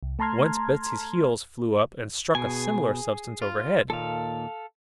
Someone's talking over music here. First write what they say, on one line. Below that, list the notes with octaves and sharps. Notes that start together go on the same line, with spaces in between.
Once Betsy's heels flew up and struck a similar substance overhead.
C2
A3 A5 A#5 C6 F6 G#6
B2 G#4 G#5
F4
D#2 A#2 A4 F5